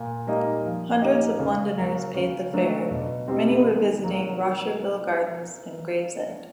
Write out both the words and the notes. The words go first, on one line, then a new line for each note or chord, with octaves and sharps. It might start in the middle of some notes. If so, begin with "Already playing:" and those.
Hundreds of Londoners paid the fare; many were visiting Rosherville Gardens in Gravesend.
Already playing: A#2
G3 A#3 D#4
F3
A#3 D#4 G4
C#3
F#3 A#3
C#3
F#3 A3 D4
B2
G3 C4 D#4 G4
D#3
F#3 A#3